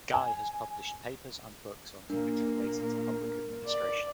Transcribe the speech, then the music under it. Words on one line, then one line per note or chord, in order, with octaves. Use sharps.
Guy has published papers and books on topics related to public administration.
G#5
A#2 A#3 D4 A#4
D5